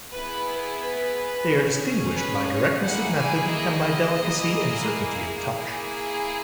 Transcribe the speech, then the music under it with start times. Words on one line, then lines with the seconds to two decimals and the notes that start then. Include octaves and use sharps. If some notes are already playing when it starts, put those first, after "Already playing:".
They are distinguished by directness of method and by delicacy and certainty of touch.
0.12 B3 E4 G#4 B4
0.80 B4
1.47 C#4 G#4
2.16 B4
2.49 C#5
2.83 A#3 E4 G#4 F#5
3.16 G#5
3.50 D#5
4.19 A#3 E4 G#4
5.54 A#3 E4 G#4